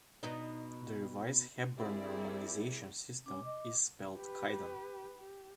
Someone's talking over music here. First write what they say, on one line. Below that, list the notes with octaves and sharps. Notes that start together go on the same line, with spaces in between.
The revised Hepburn romanization system is spelled kaidan.
B2 B3 D#4
G3 C4 E4 G#4 A#4 D5
C#4 D6
D#5
G4 B4
G4